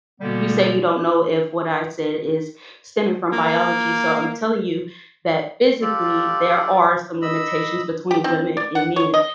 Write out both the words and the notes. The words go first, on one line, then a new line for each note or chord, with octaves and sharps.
you say you don't know if what I said is stemming from biology, so I'm telling you that, physically, there are some limitations between women and men,
B2 D3 G3 A#3 B3
A#3
F4 G4 A4 D5
D#5 B5 E6
G4
C4
D5
F#5
C#5
D#5